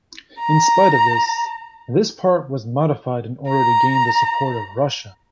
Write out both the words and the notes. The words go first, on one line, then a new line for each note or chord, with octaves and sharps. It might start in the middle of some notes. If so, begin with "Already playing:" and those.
In spite of this, this part was modified in order to gain the support of Russia.
A#5
A#5